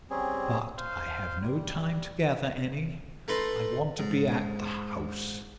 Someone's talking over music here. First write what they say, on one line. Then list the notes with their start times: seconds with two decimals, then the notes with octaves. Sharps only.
But I have no time to gather any; I want to be at the house.
0.10 G3 C4 C#4 G#4
0.78 C5 F5
1.42 G3
3.28 A3 D#4 B4 C6
3.99 G#2